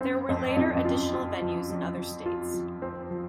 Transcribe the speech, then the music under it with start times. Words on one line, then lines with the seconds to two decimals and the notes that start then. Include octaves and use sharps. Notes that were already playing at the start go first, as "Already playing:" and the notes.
There were later additional venues in other states.
0.01 F#2 C4
0.29 F2 C4
0.56 F2 F3
0.75 F2
0.84 F#2 F4
1.13 F4
1.42 F3
1.70 F3
1.97 F3
2.26 F4
2.54 F3
2.82 C4
3.10 F3